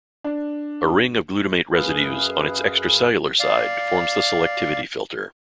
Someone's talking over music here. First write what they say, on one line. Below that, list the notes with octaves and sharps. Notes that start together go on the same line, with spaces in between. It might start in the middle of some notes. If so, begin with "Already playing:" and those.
A ring of glutamate residues on its extracellular side forms the selectivity filter.
D4
F#2 G#4 B4 F5
D5 F5